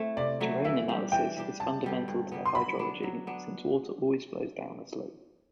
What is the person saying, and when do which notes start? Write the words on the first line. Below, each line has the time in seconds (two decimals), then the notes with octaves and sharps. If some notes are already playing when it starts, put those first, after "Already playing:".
Terrain analysis is fundamental to hydrology, since water always flows down a slope.
Already playing: A3 C4 E4
0.17 C3 D5
0.41 F#3 A3 E4
0.65 E3 E5
0.89 G3 D4 G4
1.12 E3 G5
1.37 G3 D4 G4
1.60 G2 A5
1.84 D3 G3 B3
2.08 G2
2.32 D3 G3 B3
2.45 C6
2.55 F#3 B5
2.79 B3 D4
3.03 F#3
3.27 B3 D4